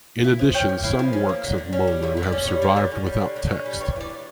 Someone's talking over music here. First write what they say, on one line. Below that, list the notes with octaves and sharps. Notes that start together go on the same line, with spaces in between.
In addition some works of Moulu have survived without text.
E4
F3
C#4 G5
A#3
E4 F5
F3
C#4
A#3
D3
D3
C#4
G3
D3 E5
D3
D5
C#4
C#5
G3
D3 D5
D3
C#4
G3
D3
D3
C#4
G3
E3 C#5
E3 D5
D4